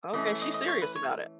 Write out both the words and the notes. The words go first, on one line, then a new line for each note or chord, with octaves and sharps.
Okay, she's serious about it.
E3 A3 C#4 D#5
E5
D#5
D#5
C#5
B4
C#5